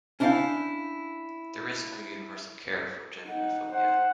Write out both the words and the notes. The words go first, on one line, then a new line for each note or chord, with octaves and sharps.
There is no universal cure for genophobia.
C#4 D4 E4 D#5 F5 G5
D#4 F#5
C5 F#5